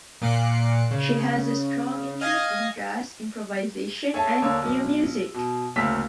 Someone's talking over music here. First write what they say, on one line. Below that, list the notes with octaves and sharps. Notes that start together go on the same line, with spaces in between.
She has a strong interest in jazz, improvisation, and new music.
A#2 F4 D6 F#6 C7 C#7
C#3
D#5 F5 G#5 D#6 G#6
G#4 A4 C#5 E5 G#5 A5
D#2 D3 A#3 C#5 E6
B1
B2
D2 C#3 A#3 F5 E6 B6